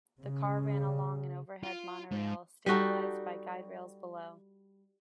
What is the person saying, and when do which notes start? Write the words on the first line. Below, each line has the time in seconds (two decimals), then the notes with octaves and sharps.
The car ran along an overhead monorail, stabilised by guide rails below.
0.23 C#3
1.63 F4
2.12 G#2 G#3
2.66 G3 D#4 F#4 A4